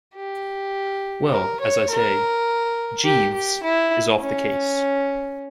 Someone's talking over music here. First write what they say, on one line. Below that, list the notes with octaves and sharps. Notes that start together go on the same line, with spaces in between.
Well, as I say, Jeeves is off the case.
G4
A#4
C#5
A#4
G4
G4
E4
C#4